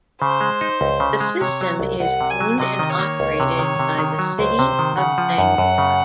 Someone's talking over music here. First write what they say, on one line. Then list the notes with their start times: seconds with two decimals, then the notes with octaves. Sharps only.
The system is owned and operated by the City of Bangor.
0.22 C#3 C5
0.41 G#3
0.61 D#4
0.81 C#2
1.00 C#3
1.20 G#3
1.41 C3 C#5
1.61 F#3
1.80 C2
2.00 C2 F#5
2.21 C3
2.30 G#5
2.41 F#3
2.60 C3 D#5
2.79 D#3
2.90 C#5
2.99 A#3
3.20 C#2
3.40 C3
3.59 D#3
3.79 C3
3.99 D#3
4.19 F#3
4.39 C#2 C5
4.59 C3
4.79 D#3
4.98 C#3 F#5
5.18 F3
5.38 F#2
5.58 F#2
5.78 C#3